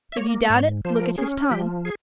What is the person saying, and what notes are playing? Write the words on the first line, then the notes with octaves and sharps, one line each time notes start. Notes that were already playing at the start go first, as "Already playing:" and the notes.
If you doubt it, look at his tongue.
E5
A#3 C#5
G#2 C#5
F3 C5
A#4
C5
C#4 G#4
F3 G4
G#4